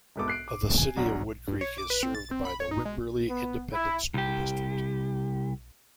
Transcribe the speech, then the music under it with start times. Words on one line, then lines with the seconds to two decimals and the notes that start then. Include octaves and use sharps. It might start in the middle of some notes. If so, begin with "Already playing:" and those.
The City of Woodcreek is served by the Wimberley Independent School District.
0.16 E1 C2 G#2 B3 A4 D6
0.28 F#6 C7 D7
0.48 D6
0.77 G#5
0.96 B1 E2 F#3 D4 F#5 A#5
1.48 G2
1.61 C#5
1.78 D6
1.90 B4
2.03 C4
2.15 A6
2.31 C4
2.45 B5
2.60 C#5
2.71 D#4
2.85 G#3
3.29 B3
3.72 E4
4.14 C2 G4